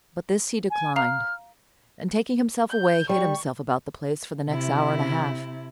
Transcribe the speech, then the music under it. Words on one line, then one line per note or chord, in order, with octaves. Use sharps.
But this he declined; and taking himself away hid himself about the place for the next hour and a half.
G#5
F5 A#5 F6
G6
G3 C#6
C3 E4